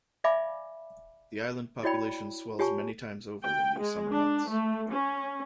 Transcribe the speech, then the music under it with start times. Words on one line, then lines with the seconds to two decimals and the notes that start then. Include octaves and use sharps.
The island population swells many times over in the summer months.
0.24 D5 E5 F5 G#5 B5 D6
1.83 E4 F#4 C#5 D5 G5 B5
2.59 F4 G4 C#5 G#5 A5 C#6
3.43 G5
3.80 G#3
4.12 D4
4.50 A3
4.92 C#4